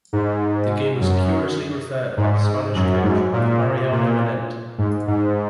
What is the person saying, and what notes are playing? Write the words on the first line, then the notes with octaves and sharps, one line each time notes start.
The game was curiously referred by the Spanish coach Mariano Manent.
G#2
F#2
G#2
F#2
G#2
A#2
A#2
G#2
G#2